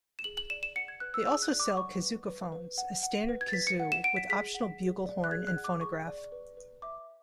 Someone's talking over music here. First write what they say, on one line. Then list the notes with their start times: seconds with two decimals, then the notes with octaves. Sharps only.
They also sell Kazookaphones, a standard kazoo with optional bugle horn and phonograph.
0.19 E7
0.24 G#4 F#7
0.37 F#7
0.50 D5 E7
0.63 E7
0.76 F#5 C#7
0.88 G#6
1.00 B4 F#6
1.14 E6
1.26 G#4 E6
1.42 F#6
1.52 D5
1.60 D6
1.77 F#5 C#6
2.02 B4
2.27 B4
2.52 B4
2.78 F#5
3.03 F#5
3.29 B4
3.41 G#6
3.48 A6
3.53 B4 B6
3.67 C#7
3.80 F#5
3.92 E7
4.04 F#5 D7
4.17 B6
4.29 G#4 B6
4.54 F#5
4.80 G#4
5.06 D5
5.24 F#6
5.31 G#4 G#6
5.47 F#6
5.56 F#5
5.64 D6
5.81 G#4 C#6
6.07 D5
6.32 B4
6.57 B4
6.82 E5 D6